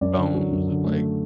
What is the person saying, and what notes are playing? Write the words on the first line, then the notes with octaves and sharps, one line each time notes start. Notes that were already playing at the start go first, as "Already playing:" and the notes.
bones of, like,
F#2 D5
D3
F#3
F#2
D3
A3